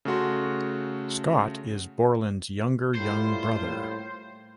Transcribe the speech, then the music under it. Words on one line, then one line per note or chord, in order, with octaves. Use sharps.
Scott is Borland's younger young brother.
C#3 A3 F#4 C6
A2 G3 A#3 F4 C5